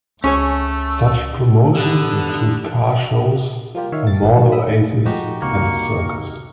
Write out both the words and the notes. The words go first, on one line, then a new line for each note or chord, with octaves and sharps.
Such promotions include car shows, a mall oasis and a circus.
C#2 A3 C#4 G#4 C#5 C#6
D3 E3 B3 G4
F3 G3 A#3 F4 G4
D#3 C#5 E5 F5
A6
G#1 F#3 B3
G#2 D#3 F#3
B5 D#6 E6
F3 G#3 A3 D#4 F#4 G4
C#2 C3 A#3 C#6